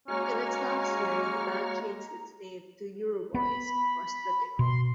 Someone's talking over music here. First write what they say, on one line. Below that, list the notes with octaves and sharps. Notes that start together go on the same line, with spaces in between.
In its last year the band changed its name to Euroboys before splitting up.
G#3 A#3 C#4 F#4 C#5 A#5 F6
B3 B5
B2 C6